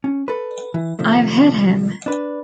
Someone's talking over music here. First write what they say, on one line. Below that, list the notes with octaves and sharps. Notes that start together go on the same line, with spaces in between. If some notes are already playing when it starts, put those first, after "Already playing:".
I've hit him.
C#4
A4 B4
E3
C3 D#3 F3 A3
D4 B4